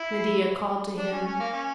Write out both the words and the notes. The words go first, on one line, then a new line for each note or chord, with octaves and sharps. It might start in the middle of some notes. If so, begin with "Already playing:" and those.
Medea called to him.
Already playing: E4
D4
C#4
C#4
A#3
C#4